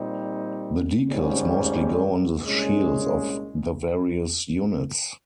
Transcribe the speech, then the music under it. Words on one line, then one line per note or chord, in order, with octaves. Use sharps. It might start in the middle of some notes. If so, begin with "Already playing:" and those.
The decals mostly go on the shields of the various units.
Already playing: A#2 G3 C4 D#4
G#1 G#2 G3 C#4
C2 A#2 G#3 C#4